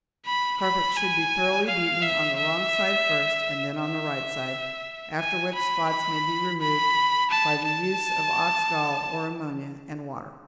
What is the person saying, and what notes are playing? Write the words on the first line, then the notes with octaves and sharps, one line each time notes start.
Carpets should be thoroughly beaten on the wrong side first and then on the right side, after which spots may be removed by the use of ox-gall or ammonia and water.
B5
B5
G#5
F5
E5
E5
E5
G#5
B5
B5
B5
A5
A5